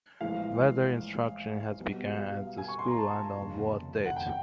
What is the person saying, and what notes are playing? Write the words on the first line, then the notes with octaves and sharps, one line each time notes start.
Whether instruction has begun at the school, and on what date.
A#1 A2 E3 G#3 F5
B1 B2 G3
F5
G#5
C#6
C6
A#5
A5
F1 D#2 C#3
F#5
G5